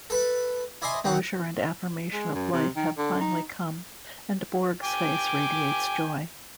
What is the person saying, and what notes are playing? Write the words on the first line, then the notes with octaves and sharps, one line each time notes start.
Closure and affirmation of life have finally come, and Borg's face radiates joy.
A4 B4 B5
E4 D5 D#5 G#5 C6
D#3 C4 F#5
G#3
F#2
C3
D#3
D3
D#4
G5 G#5 D6